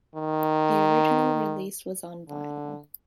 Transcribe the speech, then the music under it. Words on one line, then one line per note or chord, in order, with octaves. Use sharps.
The original release was on vinyl.
D#3
D3